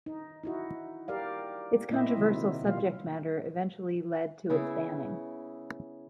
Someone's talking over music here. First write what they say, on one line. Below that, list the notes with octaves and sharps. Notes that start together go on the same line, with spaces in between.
Its controversial subject matter eventually lead to its banning.
D#4
D#4 E4 F#4
G4 A#4 D5 F5
A#2 A#3 C4 E4 D#5 E5
C3 D#3 F#3 E4
B2 G3 A#3 F4 F5
C#3 B3 E4